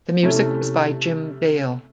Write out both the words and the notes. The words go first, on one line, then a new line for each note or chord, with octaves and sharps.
The music was by Jim Dale.
C3 A3 C#4 E4